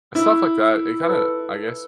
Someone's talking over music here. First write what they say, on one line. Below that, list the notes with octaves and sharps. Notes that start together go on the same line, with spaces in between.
stuff like that, it kinda, I guess,
E4
B4
A4